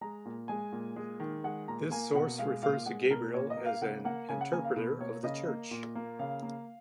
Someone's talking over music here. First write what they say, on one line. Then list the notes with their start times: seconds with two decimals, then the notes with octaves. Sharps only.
This source refers to Gabriel as an "interpreter of the church".
0.01 G#3 A#5
0.26 A#2
0.48 G#3 G#5
0.72 A#2
0.96 G#3
1.20 D#3
1.44 G#3 F#5
1.68 A#2 A#5
1.91 A#3 G#5
2.14 B2 F#5
2.38 G#3 F5
2.63 A#2 F5
2.86 G#3 F#5
3.11 B2 A#4
3.34 A#2 C#5
3.50 D#5
3.57 A#3
3.65 F5
3.81 C#3 F#5
4.05 A#3 F#5
4.29 C#3 G#5
4.41 F#5
4.52 A#3 G#5
4.65 F5
4.76 B2 B4
5.00 A#3 C#5
5.24 C#3 D#5
5.48 A#3
5.71 A#2
5.95 A#3
6.19 C#3 F5
6.42 A#3